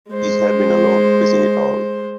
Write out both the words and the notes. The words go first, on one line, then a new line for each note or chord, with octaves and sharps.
He had been alone: facing it all.
G#3 C5